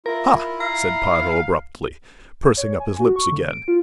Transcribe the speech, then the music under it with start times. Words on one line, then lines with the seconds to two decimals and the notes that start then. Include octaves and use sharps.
"Ha!" said Piero, abruptly, pursing up his lips again.
0.06 E4 F4 A#4
0.60 F5 A#5
2.57 C#5
2.80 G#5
3.00 F#4
3.16 C#6
3.32 D3
3.48 D7
3.68 F4